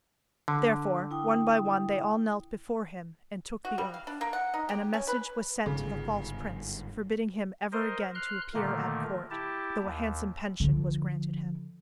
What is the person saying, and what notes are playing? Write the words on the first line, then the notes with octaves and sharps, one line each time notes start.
Therefore one by one they all knelt before him and took the oath, and a message was sent to the false prince, forbidding him ever again to appear at court, though a handsome pension was granted him.
D3
E4 G5 D#6
F#4
G3
F5
D4
A#3
F#5
D#4
G4
C#4
B4
G1 G#2 C#3
A#4 C5 D#5
C6 F6 F#6
A#2 D3 D#3 A3 A#3
E4 G4 A5
D#2
D3 F3